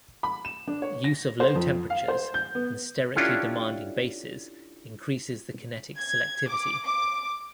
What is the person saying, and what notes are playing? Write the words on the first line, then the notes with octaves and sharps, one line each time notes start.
Use of low temperatures and sterically demanding bases increases the kinetic selectivity.
B5
E7
D4
C#5
A#6
C5
F2
F5
C5
G6
B3
C#4 D4 E4 F4 G4 A4
G#6
D6
D6